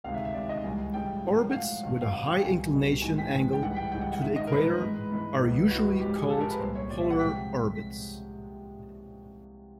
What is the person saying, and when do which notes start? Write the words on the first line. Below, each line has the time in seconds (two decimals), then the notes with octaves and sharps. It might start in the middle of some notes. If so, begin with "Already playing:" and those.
Orbits with a high inclination angle to the equator are usually called polar orbits.
0.04 D2 C3 D#3 G#3 F5
0.14 E5
0.25 E5
0.34 D2 C3 D#3 G#3 D5
0.49 D#5
0.64 C#2 C#3 E3 G3 G#5
0.94 C#2 C#3 E3 G3 G5
1.24 A2 F3 G#3
1.50 F#5
1.53 A2 F3 G#3 F5
1.83 E2 B2 F#3
2.01 F5
2.13 E2 B2 F#3 F#5
2.28 G5
2.42 C2 B2 G3 G#5
2.73 C2 B2 G3
3.02 G#2 E3 G#3 G#5
3.18 G5
3.33 G#2 E3 G#3 G#5
3.53 G5
3.62 C#2 C#3 E3 G3 F#5
3.76 G5
3.92 C#2 C#3 E3 G3 G5
4.01 F#5
4.12 F#5
4.21 G2 D#3 G#3 E5
4.36 D#5
4.47 A#4
4.52 G2 D#3 G#3 B4
4.82 G#2 E3 G#3
5.12 G#2 E3 G#3
5.41 C#2 C#3 E3
5.71 C#2 C#3 E3 F#4
5.86 F#4
6.00 G#2 F3 G#3 G4
6.16 G#4
6.30 G#2 F3 G#3 A4
6.40 A#4
6.50 B4
6.60 C2 A#2 G3 C5
6.75 C#5
6.89 C2 A#2 G3 D5
7.00 E5
7.10 F#5
7.20 C3 F3 G#3 G5